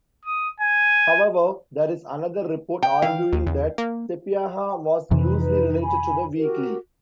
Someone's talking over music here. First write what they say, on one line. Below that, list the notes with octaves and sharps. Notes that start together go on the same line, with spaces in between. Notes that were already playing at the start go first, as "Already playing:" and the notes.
However, there is another report, arguing that Sapieha was loosely related to the weekly.
D#6
G#5
G5
E3 F5
D#2
E2
A#3
F2 C3 E3 D#4 B4
G#5 B5
F#4 G4 A#4